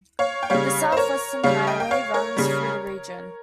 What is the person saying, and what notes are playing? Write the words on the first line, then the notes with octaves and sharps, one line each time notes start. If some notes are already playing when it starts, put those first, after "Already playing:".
The South Western Highway runs through the region.
C#5 F5
G5
C#3 G3 C#5 F5
C5
A#4 C#5
C#3 G3 C#5 F5
D#5 G5
G5
C#5 F5
A#4 C#5
C#3 G3